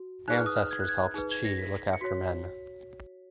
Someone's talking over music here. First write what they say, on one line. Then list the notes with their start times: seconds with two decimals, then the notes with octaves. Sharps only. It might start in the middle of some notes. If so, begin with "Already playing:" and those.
Ancestors helped chi look after men.
Already playing: F#4
0.28 D#4 G#4 B4 F#6
0.38 F6
0.46 D#6
0.56 F6
0.71 G#6
0.80 F#6
0.88 G#6
1.14 D#4 G#4 B4
1.31 G#6
1.44 A#6
1.58 B6
1.93 C#7
2.01 F#4 C#5 B6